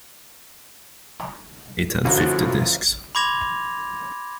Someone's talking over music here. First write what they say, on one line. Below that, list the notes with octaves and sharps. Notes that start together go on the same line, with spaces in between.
It had fifty disks.
G1 F#2 A2 F3 F#4
B5 C6 D6 G#6 A#6 F7